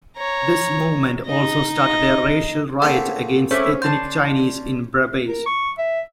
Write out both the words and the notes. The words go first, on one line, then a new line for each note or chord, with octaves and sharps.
This movement also started a racial riot against ethnic Chinese in Brebes.
C#5 A#5
D#4 D#5
C#3 A#3 C4 A4 F#5
A3 C#4 E4 C5 D6
D4 A5 C6 G6
A#4
C#6
E5